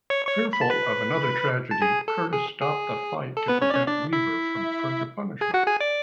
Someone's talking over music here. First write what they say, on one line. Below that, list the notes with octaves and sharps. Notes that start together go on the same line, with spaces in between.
Fearful of another tragedy, Curtis stopped the fight to prevent Weaver from further punishment.
C#5 C#6
C#5 C#6
B5
A5
B4 B5
A5
G#4 G#5
A4
G#4
G#4
A4
B3 B4
C#4 C#5
D5
C#4 C#5
D4 D5
E4 E5
G#4 G#5
F#4 F#5
G#4 G#5
D5 D6